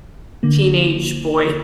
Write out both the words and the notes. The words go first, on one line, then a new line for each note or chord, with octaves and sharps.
teenage boys,
D3 A#3